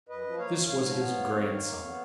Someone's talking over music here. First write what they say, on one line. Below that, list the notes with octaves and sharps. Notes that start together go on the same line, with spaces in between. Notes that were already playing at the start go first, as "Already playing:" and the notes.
This was his grandson.
F#2 B4 D#5
F3
A#3 C#5 F5
F#2
G#2 C#5 F5
F3
B3
G#2
F2
D#3
A#3
F2
B3